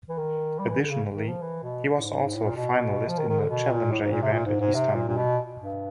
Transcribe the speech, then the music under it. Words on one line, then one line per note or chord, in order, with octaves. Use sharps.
Additionally, he was also a finalist in a challenger event at Istanbul.
E3
D#3
G3
E3
D3
C#3
D#3
F3
E3
B2
A2
G#2
G#2
A2
A#2
B2
F3
D#3
D#3
D3
B2
A#2
A2
G#2
A#2
C3
A#2
G#2
G#2
C3
A#2
A#2
B2
G2